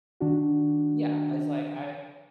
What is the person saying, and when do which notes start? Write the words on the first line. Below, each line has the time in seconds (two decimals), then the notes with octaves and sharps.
Yeah as, like, I
0.20 D#3 D4 F#4